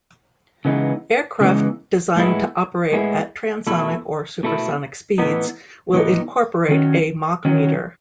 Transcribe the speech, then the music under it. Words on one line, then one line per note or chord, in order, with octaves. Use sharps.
Aircraft designed to operate at transonic or supersonic speeds will incorporate a machmeter.
C#3 E3 G#3 B3 D#4
C#3 E3 G#3 B3 D#4
A2 G#3 B3 E4
A2 G#3 B3 E4
B2 A3 E4
B2 A3 E4
A2 E3 B3 D#4
A2 E3 B3 D#4
D#3 F#3 C#4
D#3 F#3 C#4